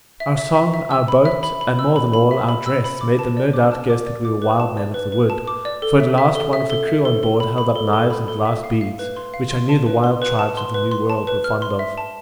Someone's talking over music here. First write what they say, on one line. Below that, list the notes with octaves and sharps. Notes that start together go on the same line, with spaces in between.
Our song, our boat, and, more than all, our dress, made them no doubt guess that we were wild men of the wood; for at last one of the crew on board held up knives and glass beads, which I knew the wild tribes of the New World were fond of.
E5
E5
E5
E5
E6
B5
E5
B5
B5
E6
B5
B5
E5
B5
E6
B5
D6
A5
D5
D6
A5
D6
D5
D6
B4
A5
D5
B4
B4
A5
D6
D5
A4
E5
E5
A4
E5
A4
E5
A4
A4
B5
B5
A4
A4
B5
A4
E5
F5
F5
B4
C6
F5
C6
A5
B4
C6
B4
A5
C6
B4
C6
A5
B4
F6
C6
E5
A5